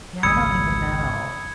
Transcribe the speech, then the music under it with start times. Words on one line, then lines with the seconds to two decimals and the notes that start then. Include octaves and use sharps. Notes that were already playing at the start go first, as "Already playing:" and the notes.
Yeah, I don't even know.
0.23 G#1 C#2 B5 D#6 E6 G#6 C#7